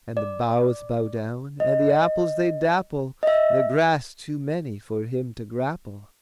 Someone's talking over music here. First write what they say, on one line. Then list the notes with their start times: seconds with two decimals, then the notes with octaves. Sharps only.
And the boughs bow down, and the apples they dapple The grass, too many for him to grapple.
0.17 D5
1.60 D#5
3.23 D#5
3.27 E5